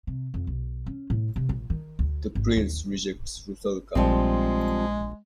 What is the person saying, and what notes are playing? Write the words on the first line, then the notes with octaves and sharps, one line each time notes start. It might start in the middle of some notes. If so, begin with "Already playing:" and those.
The prince rejects Rusalka.
C3
F2
B1
C#4
A2
C3
A#1
D#3
D2
G#1
D#2
A#1 F3 G3 G#3 C4